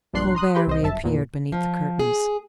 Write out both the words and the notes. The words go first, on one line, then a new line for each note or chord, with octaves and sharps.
Colbert reappeared beneath the curtains.
A#1 G2 D4 C6 F#6 C7
A#5 C6 D#6 F#6
G4 B4 G5 C6
C2 C5 D#5
G1 F#2 E5 A5
E2 A#2 E3
F3
G#4